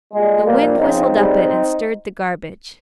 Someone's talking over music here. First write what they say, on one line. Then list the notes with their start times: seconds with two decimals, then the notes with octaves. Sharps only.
The wind whistled up it and stirred the garbage.
0.12 A#2 G3 G#3
0.45 A#2 F3 G3 A#3
0.78 C#3 F3 C4 D#4
1.11 C#3 G3